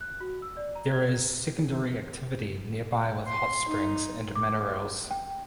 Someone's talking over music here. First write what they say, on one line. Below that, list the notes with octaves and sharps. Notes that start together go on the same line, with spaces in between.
There is secondary activity nearby with hot springs and minerals.
F#6
F#4
E6
D5
A#5
G#6
C6
D#4
D6
G5